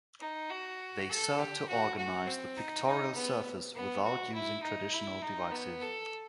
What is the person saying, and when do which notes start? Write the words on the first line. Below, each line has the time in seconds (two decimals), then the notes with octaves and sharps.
They sought to organize the pictorial surface without using traditional devices.
0.20 D#4
0.50 F#4
1.10 A4
1.39 G4
1.68 F#4
1.97 F#4
2.27 C4
2.57 D#4
2.86 D#4
3.15 B3
3.75 B3
4.05 F#4
4.34 E4
4.63 D#4
4.93 E4
5.22 D#4
5.51 B3
5.81 A4